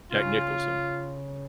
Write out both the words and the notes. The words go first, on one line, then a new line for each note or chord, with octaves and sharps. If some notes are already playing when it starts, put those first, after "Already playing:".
Jack Nicholson.
C#3 F4